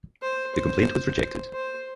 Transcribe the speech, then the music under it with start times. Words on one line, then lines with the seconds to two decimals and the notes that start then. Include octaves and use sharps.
The complaint was rejected.
0.22 C5
0.55 C5
1.53 C5